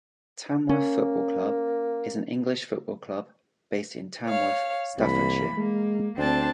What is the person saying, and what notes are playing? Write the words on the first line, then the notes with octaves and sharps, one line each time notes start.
Tamworth Football Club is an English football club based in Tamworth, Staffordshire.
A#3 C#4
C#5 F5
C2 E3 A#3 B5
G#3 A#3
D2 C4 D4 A5